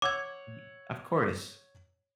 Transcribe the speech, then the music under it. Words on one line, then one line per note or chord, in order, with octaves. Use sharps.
Um Of course.
C#5 F#5 D6 E6 G#6